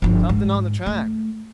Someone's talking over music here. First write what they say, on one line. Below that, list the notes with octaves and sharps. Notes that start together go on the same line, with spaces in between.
Something on the track.
G1 F3
G#2
A3